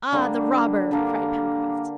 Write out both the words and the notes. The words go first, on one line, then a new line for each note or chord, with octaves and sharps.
"Ah, the robber!" cried Pencroft.
D3 G3 A#3 D4
D3 G3 A#3 D4